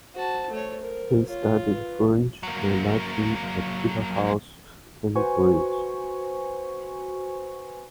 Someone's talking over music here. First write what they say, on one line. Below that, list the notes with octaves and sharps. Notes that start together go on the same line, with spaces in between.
He studied French and Latin at Peterhouse, Cambridge.
F#4 C5 A5
A3 C#5
A#4
F4 C#5
B4
F#3 A#3
F#4 B4 C5 G#5 C#6